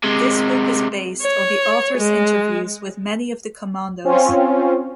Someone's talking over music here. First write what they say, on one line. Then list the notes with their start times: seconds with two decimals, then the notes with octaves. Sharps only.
This book is based on the author's interviews with many of the commandos.
0.04 C3 G#3
1.22 C#5
1.98 G#3
4.05 C4 C#4 F4